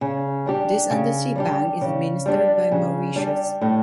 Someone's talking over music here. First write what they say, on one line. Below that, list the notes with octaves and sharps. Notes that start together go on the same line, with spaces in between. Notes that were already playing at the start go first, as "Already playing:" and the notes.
This undersea bank is administered by Mauritius.
C#3
G3 D4 G4
C#3
G3 D4 G4
C#3
G3 D4 G4
C#3
G3 D4 G4
A2